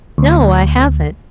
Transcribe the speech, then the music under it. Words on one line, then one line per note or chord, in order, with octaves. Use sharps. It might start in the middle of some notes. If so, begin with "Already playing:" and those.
"No, I haven't."
D2